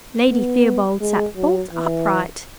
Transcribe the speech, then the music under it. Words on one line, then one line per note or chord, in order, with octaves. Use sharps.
Lady Theobald sat bolt upright.
B3
G#3
F#3
E3